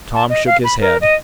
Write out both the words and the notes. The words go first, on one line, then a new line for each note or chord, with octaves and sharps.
Tom shook his head.
A5
D#5
F5
B5
A#4
D#5